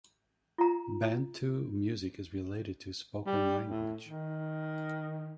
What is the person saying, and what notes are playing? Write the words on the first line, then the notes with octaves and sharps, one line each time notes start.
Bantu music is related to spoken language.
F4 A#5
G3
A2
D#3